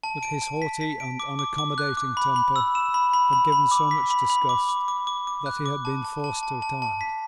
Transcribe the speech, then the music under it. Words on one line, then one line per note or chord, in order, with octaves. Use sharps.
But his haughty and unaccommodating temper had given so much disgust that he had been forced to retire.
A5
D7
A5
B6
B6
D7
D6
D6
D6
F#6
D6
B5
B5
E6
E7
B5
B5
B5
B5
D6
B6
B5
B5
D6
D6
D6
D6
D6
F#6
D6
A5
A5
A5
A5
A5
A5
B6